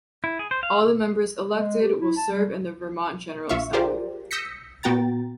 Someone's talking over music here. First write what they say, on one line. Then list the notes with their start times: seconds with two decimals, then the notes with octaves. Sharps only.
All the members elected will serve in the Vermont General Assembly.
0.24 E4
0.39 G#4
0.51 C5
0.63 F5
1.50 G#3
1.82 G4
2.00 E4
2.17 A5
2.31 G3
3.49 A#1 F4 E5 F5 C#6
3.73 F4 G4 G#4 A#4 C5 D5
4.31 D#6 E6 G6 A#6 B6 C#7
4.83 A#2 B3 F#4 G5 A#5 A6